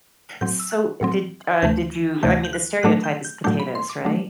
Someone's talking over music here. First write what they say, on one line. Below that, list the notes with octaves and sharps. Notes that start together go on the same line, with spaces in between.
so did uh, did you I mean, the stereotype is potatoes, right?
A2 F#3 C4 G6
E6
F#6
A2 F#3 C4
D2 C3 E3 A3 G6
D2 C3 E3 A3 G6
G6
F#6
A2 F#3 A3 D4 F#6
G6
G6
A2 F#3 A3 D4 G6
B5
C6
D6
F#3 A3 D4